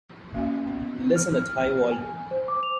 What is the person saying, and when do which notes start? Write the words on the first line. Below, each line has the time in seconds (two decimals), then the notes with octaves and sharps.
Listen at high volume.
0.34 A#3 C#4 F#4 D#5 F5 G#5
0.66 B3
1.16 F6
1.42 F6
1.92 G#5
2.31 C5
2.48 D6
2.63 F7